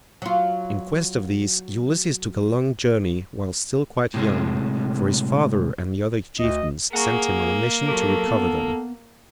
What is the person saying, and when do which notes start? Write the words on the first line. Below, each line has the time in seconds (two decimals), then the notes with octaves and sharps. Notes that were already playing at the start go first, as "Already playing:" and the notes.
In quest of these Ulysses took a long journey while still quite young, for his father and the other chieftains sent him on a mission to recover them.
0.22 F#3 F4
4.14 A2 C3 G#3
6.40 D2 D#5
6.93 A#3 G#4 F#5 A#5
7.86 F#3 G4 A4 A#4
8.28 B3